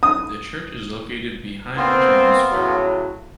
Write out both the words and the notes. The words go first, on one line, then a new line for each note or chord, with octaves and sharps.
The church is located behind Journal Square.
D#6
A#2 B3 C4 F4
A2 C#3 F#3